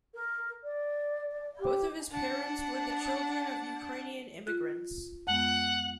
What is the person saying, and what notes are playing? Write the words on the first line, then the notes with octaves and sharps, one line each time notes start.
Both of his parents were the children of Ukrainian immigrants.
A#4
D5
G4
D4 F#5
F4 F#6
F2 G#3 B3 F#5